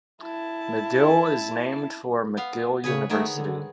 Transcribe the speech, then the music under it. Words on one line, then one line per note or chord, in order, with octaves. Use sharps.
McGill is named for McGill University.
E4 A5
B3 F5
C#3 G#4 B4 C#5
D#3 A3 B3 G#4
D3